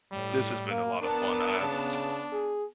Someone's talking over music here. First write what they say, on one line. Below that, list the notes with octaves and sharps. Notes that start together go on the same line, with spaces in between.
This has been a lot of fun, I I don't
A2 G3
A#3
B3 D4 A#4 A5
C#3
G#4